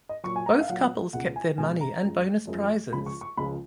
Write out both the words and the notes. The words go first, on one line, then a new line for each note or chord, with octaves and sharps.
Both couples kept their money and bonus prizes.
D#5
A#2 F#3 C#6
G#5
A#5
F5
A#2 F#3 F#5
C#2 B2 G#3 F#5
G#5
C#2 B2 G#3 G#5
A#5
F#2 F3 G#3
F#2 F3 G#3
C#2 C#3 F3 G#3 B5
C#6
C#6
C#2 C#3 F3 G#3 B5